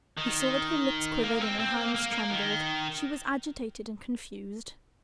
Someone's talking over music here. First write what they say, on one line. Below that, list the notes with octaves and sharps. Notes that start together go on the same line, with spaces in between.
He saw that her lips quivered and her hands trembled; she was agitated and confused.
D#3
A#3
C4
C4
A#3
A#3
A#3
D#3